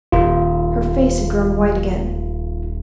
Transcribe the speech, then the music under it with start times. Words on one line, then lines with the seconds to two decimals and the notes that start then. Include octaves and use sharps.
Her face had grown white again.
0.12 D#1 F4